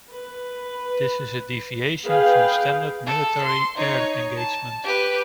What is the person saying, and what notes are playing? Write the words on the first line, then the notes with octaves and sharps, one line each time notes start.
This is a deviation from standard military air engagement.
B4
G#4 B4 F5 G5
A4
C6
D#4 C#5
A5
G4 B4